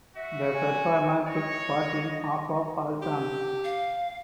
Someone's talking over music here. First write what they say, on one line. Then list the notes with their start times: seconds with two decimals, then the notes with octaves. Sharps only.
The performer took part in half of all songs.
0.16 F#4 E5
0.55 G#5
1.26 C#5 D#5
3.02 G4
3.64 F5